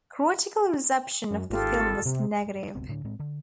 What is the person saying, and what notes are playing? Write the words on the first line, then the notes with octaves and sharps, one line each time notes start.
Critical reception of the film was negative.
F#2
G#1 F4 G4 A4
C3
F#1 C#2 B2 C4
D2 A2 D3 D4
A2 G#3 C4
D3